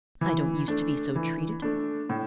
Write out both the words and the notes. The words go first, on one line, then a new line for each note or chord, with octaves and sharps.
I don't use to be so treated.
E3
A3 D4
E3
A3 D4
A2